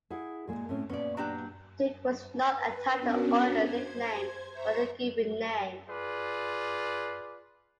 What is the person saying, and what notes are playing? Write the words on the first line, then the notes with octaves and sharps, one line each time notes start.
"Duke" was not a title or a nickname, but a given name.
E4 G#4 F#5
A#2 G#3 A#3
A2 C4 C#4
A#2 B3 C#4 D5
F#3 D4 G4
B4
B3 C#4 D4 F#4 A#4
C5 G#6
C5 E5 A#5 C#6
F4 G#4 B4 D5